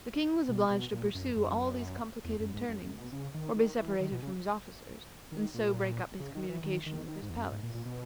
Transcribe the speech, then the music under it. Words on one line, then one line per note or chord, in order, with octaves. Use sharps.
The King was obliged to pursue all these complicated turnings, or be separated from his officers, and so break up his communication with his palace.
B2
B2
A#2
F#2
F#2
E2
F#2
G#2
F#2
F#2
B2
C#3
D#3
D#3
E3
D#3
B2
C#3
D#3
A#2
C#3
D#3
E3
D#3
D#3
D#3
G#2
E2
F#2
G#2
A#2
A#2
B2